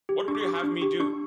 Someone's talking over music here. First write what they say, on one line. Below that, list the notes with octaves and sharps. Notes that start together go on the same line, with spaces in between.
What would you have me do?
G4
D4 C#6
D6
C#6
G4 D6
C#6
D4
G4 C#6
D4 C#6